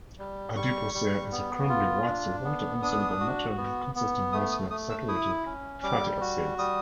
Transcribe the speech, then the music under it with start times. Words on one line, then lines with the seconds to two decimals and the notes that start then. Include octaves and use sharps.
Adipocere is a crumbly, waxy, water-insoluble material consisting mostly of saturated fatty acids.
0.19 G3
0.56 G3 C#6
0.94 G3
1.32 B3
1.69 F4
2.07 D4
2.44 B3
2.82 D4 D#6
3.20 F#4
3.57 B3
3.95 B3
4.33 A3 D#6
4.52 D#6
4.71 A3 D#6
4.90 E6
5.08 E4 D#6
5.46 C#4
5.83 G3 D6
6.21 F#4
6.58 G3 D#6